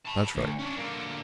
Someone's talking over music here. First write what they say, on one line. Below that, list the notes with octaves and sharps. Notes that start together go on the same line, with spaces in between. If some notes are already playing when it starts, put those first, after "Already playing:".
That's right.
A5 B5
D2
C#4 D4
D3 A#3